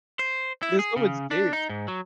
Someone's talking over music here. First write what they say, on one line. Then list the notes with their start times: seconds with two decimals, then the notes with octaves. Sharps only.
There's so much games.
0.19 C5
0.63 E4
0.79 G#4
0.96 C#3
1.31 D4
1.53 D#4
1.69 G#2
1.88 F#3